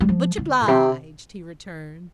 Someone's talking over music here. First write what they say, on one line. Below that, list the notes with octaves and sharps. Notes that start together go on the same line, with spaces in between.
"Much obliged," he returned.
G3
F3
D3
A2
C3